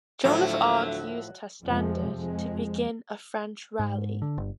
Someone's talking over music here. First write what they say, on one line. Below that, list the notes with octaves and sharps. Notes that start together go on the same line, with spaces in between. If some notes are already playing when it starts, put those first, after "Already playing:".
Joan of Arc used her standard to begin a French rally.
D2 A2 F3 F#3 F4 E5
F2 C3 F3 G#3
F2 G#3
G#2
D3
G1